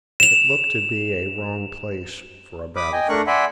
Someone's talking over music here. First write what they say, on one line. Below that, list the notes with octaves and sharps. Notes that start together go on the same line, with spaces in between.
It looked to be a wrong place for a battle field.
E7 F7
B5 D6 D#6
D#5 G5 G#5
A3 D4 A#4 C#6 F#6
D5 E5 F#5 G#5 B5 C6